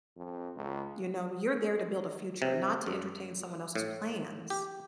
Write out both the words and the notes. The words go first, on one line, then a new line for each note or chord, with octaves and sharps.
you know, you're there to build a future, not to entertain someone else's plans.
F2
C#2
C3
F#2
A2
G4